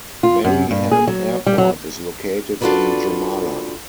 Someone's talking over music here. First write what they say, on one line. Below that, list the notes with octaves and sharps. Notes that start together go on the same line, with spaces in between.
Mariehamn Airport is located in Jomala.
F4
F#2
G2
G#4
F#3
G3
F#3
D4 F4 F#4 A4 B4 D5